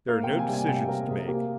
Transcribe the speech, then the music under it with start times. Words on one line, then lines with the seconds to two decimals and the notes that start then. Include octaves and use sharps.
There are no decisions to make.
0.08 A#3 F5
0.24 G5
0.29 C3
0.39 G#5
0.48 G3
0.53 G#5
0.68 C3 G5
0.88 A#3 A#4
1.08 C3 G#4
1.28 A#3 G4